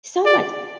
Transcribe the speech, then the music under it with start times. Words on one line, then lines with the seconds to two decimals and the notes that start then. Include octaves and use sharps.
so much.
0.25 D5